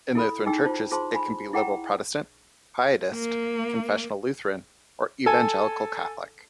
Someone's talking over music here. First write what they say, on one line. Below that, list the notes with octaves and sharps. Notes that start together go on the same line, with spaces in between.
In Lutheran churches it can be liberal Protestant, pietist, confessional Lutheran, or evangelical Catholic.
E4 A4 B5
D#4 G#4 G5 E6
F4 C5 A5
F4 G#4 C5 A5 C6
G#5 B5
E4 G#4 F#5 G5 A#5
A#3
A4 G#5